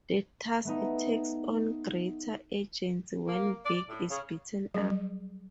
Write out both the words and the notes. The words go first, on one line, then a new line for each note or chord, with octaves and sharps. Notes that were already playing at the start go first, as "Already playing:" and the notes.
The task takes on greater urgency when Vic is beaten up.
A3 B3 D#4
A#3
D5
A2
C#3
F#3 G3 G#4